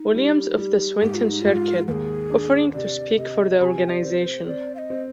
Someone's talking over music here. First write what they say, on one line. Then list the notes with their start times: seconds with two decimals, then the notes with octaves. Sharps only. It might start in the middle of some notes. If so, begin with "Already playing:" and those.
Williams of the Swinton Circle offering to speak for the organisation.
Already playing: D#4
0.15 G3
0.58 G3
1.01 G#2 G4
1.15 F4
1.29 D#4
1.41 G#2 F4
1.88 D#2 G#4 B4
2.31 D4
2.73 C3 D5
3.17 C3 D#5
3.60 C3 B5
3.65 G#5
3.89 D#5
3.93 D5
4.03 C4
4.17 C5
4.46 C4 D5
4.75 F5
4.78 D#5
4.90 C4